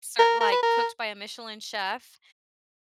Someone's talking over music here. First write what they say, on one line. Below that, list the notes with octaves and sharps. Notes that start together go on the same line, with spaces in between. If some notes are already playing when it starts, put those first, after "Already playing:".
ser like cooked by a Michelin chef
A#4
A#4
B4
A#4